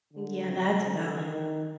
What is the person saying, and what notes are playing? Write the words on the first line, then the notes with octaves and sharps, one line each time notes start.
yeah, that's valid,
D3
C3
D3
D#3